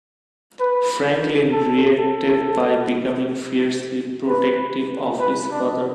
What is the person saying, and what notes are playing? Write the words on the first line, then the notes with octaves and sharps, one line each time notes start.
Franklin reacted by becoming fiercely protective of his father.
B4
A4
A4
B4
B4
D4